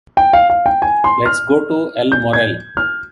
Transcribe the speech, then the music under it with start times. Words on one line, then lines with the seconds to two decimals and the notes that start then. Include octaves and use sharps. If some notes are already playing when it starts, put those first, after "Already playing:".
Let's go to El Morell.
0.17 G5
0.33 F5
0.50 F5
0.66 G5
0.82 G#5
1.04 C6
1.26 F6
2.12 G6
2.33 G#6
2.77 F6